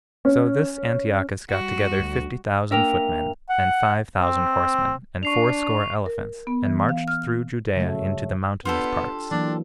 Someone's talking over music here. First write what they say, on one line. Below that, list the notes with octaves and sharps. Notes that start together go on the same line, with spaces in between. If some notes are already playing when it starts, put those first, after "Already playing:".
So this Antiochus got together fifty thousand footmen, and five thousand horsemen, and fourscore elephants, and marched through Judea into the mountainous parts.
C#4
G3 F#4
D2
A#3 D4 A#4 E5 G5 F7
F#5
C4
D4 C#6 C7 F7
A#4
B3
E3
F5
F6
C#3 F#3 A3
B3 D4 F4 G4 A4
E3 F#3 A#3 D4